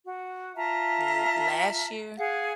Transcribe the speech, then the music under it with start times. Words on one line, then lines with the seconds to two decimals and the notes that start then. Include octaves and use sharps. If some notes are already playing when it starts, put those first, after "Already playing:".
l last year
0.05 F#4
0.56 F4 E5 A5 A#5
2.18 G#4 F5 F#5